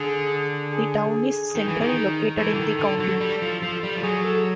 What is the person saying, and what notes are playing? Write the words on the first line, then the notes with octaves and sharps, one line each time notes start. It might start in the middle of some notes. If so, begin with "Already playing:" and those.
The town is centrally located in the county.
Already playing: D3 G#4
G#4
D#3
E3
D#3
E3 A4
D3
D#3
D3
F#3
G3
F3
F3
G3
F3
F#3 G#4
A4